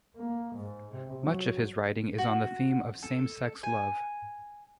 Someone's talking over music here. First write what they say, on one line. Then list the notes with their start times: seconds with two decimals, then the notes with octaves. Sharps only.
Much of his writing is on the theme of same-sex love.
0.17 A#3
0.56 G#2
0.94 C3
1.24 F#3
2.18 F#4
3.03 A4
3.63 G#5